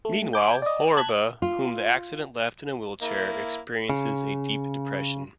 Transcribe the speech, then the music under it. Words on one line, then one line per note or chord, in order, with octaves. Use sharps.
Meanwhile, Horiba, whom the accident left in a wheelchair, experiences a deep depression.
A3
G#5 D6 G6
D5 D#5
A5 F#6 G#6 B6
F4
A#3 E4
C#3